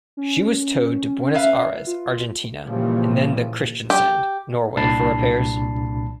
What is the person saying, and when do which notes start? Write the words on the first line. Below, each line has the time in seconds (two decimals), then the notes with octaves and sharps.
She was towed to Buenos Aires, Argentina and then to Kristiansand, Norway for repairs.
0.17 C#4
1.34 B4 E5 F5
1.87 F4
2.64 A#2 C#3 E3 F3 G3
3.90 G4
4.77 C2 A#2 D4 A5 B5 C7